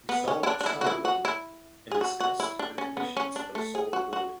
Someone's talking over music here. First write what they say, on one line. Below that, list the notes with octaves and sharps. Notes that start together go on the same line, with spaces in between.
He solved some of them and discussed the conditions of solvability.
B3
C#4
E4
D4
D4
E4
F#4
E4
F#4
E4
G#4
F#4
F#4
E4
D4
C#4
B3
C#4
D4
A3
G#4
F#4
F#4